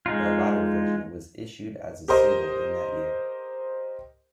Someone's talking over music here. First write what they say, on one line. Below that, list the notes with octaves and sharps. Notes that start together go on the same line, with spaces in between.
The latter version was issued as a single in that year.
G#3 D#4 F4
G4 A#4 C5 D#5